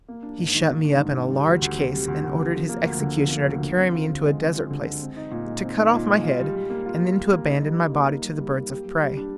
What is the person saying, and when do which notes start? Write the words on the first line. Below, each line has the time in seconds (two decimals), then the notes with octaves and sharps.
He shut me up in a large case and ordered his executioner to carry me into a desert place, to cut off my head, and then to abandon my body to the birds of prey.
0.08 A#3
0.23 D4
0.38 G#2
0.54 D#3
0.70 A#3
0.85 D4
1.00 G#2
1.16 D#3
1.31 G3
1.47 D2
1.62 D2
1.77 C3
1.92 G3
2.08 D2
2.24 D2
2.39 C3
2.54 F3
2.69 A#3
2.85 D2
3.00 D3
3.16 F3
3.31 A#3
3.47 D2
3.62 D3
3.78 C4
3.92 F4
4.09 D3
4.24 G#3
4.39 C4
4.55 F4
4.71 D3
4.85 G#3
5.01 C4
5.17 D#4
5.31 A#2
5.47 G#3
5.62 C4
5.77 D#4
5.93 A#2
6.08 G#3
6.23 F4
6.39 G3
6.55 G3
6.70 A#3
6.86 F4
7.01 G3
7.16 G3
7.32 A#3
7.48 D#4
7.62 G3
7.77 G3
7.93 A#3
8.09 D#4
8.24 G3
8.40 G3
8.55 A#3
8.70 G4
8.85 G3
9.01 G3
9.17 D4